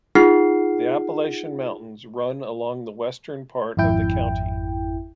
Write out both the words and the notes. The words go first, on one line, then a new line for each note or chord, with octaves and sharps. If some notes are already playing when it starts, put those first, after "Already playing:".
The Appalachian Mountains run along the western part of the county.
D#4 F4 G#4 F#5 F6 C7
G#1 F2 E4 G5